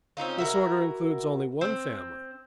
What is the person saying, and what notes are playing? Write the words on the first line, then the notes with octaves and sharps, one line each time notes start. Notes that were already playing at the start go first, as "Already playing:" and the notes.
This order includes only one family.
C4 C#4 D#4 F4
E4 F#4 A#4
C4